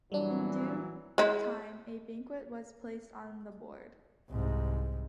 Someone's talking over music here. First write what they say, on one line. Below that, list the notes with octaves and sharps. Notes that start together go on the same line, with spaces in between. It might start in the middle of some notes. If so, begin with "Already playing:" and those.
In due time a banquet was placed on the board.
A#2 E3 F#3 G3 D4
G#3 E4
C2 G#2